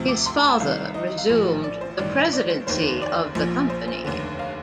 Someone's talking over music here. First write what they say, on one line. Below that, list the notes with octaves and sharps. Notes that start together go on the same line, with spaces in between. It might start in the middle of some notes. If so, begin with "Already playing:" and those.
His father resumed the presidency of the company.
Already playing: D2 C3 F3
D6
C6
A#5
A5
C2 C3 D#3 F5
D#5
D#5
F5
A#1 A2 F3
D5
C5
A1 G2 D#3 D5
D5
C5
F1 D#2 D#3 C5
D5
A#1 A#2 F3
C5
C5
F1 D#2 D3
F5